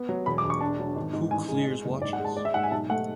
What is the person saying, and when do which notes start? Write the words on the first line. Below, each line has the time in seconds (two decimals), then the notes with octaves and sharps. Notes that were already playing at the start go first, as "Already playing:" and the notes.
Who clears watches?
Already playing: B3
0.09 F#3
0.26 E1 B5
0.38 D6
0.44 E1
0.50 C#6
0.61 D4 A5
0.79 F#3
0.96 G#1
1.13 G#2
1.31 A1 G#5
1.48 G#3
1.66 G#3
1.85 F#1
2.01 G#2 D5
2.13 F#5
2.20 G#3 A5
2.36 G#3 D5
2.45 E5
2.54 G#2 F#5
2.63 G#5
2.71 B1 A5
2.90 A3 F#5